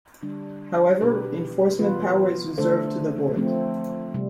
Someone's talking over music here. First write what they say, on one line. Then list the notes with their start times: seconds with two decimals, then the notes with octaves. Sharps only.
However, enforcement power is reserved to the Board.
0.23 D3 G3 D4
1.01 B2 B3 D4 G4 B4
1.79 E3 B3 F4 B4
2.58 D3 A3 D4 A4 C5
3.36 F3 A3 C4
4.14 C3 G3